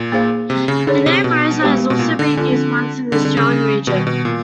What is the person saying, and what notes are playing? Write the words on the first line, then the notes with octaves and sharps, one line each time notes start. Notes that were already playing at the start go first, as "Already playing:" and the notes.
The name Rosa has also been used once in the Australian region.
Already playing: A#2
A#3 D#4 G#4 C5 F5
C3
C#3
D3 D#4 G#4 C#5
C3
B2
G#3 B3 D#4 G4 C5
B2
A#2
D3
D3 C4 F4 A4
D3 G3 C4 D#4 G#4
D3
C#3
B2 D#3 G3 B3
B2
A#2